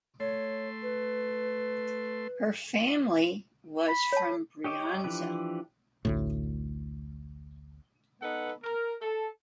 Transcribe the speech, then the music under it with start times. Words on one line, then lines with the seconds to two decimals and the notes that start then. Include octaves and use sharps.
Her family was from Brianza.
0.20 A3 C#5 C6
0.83 B4
3.89 B5
4.13 C#5 A5
4.64 G4 C#5 D#5 G5 D6
5.04 E3 F3 D4 G4 B4
6.05 A1 D2 A2
8.22 B3 D#4 A4 B4 F#5
8.64 A#4
9.02 A4